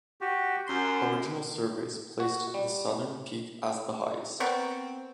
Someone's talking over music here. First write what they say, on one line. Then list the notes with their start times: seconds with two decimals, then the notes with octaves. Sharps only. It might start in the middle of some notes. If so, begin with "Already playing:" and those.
Original surveys placed the southern peak as the highest.
0.21 F#4 G4
0.67 F#2 C6
2.20 F#4
2.54 G3
4.40 B3 C4 A#4 C#6